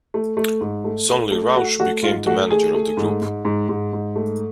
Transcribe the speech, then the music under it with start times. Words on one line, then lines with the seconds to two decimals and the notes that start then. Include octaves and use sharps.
Sonley Roush became the manager of the group.
0.14 A3
0.37 A3
0.61 G#2
0.84 A3
1.09 A3
1.32 A3
1.56 A3 F#4
1.80 A3 F#4
2.03 G#2 F4
2.27 A3 F#4
2.50 A3 G#4
2.74 A3
2.97 G#2
3.22 G#2
3.45 G#2
3.69 G#2
3.93 G#2
4.16 A3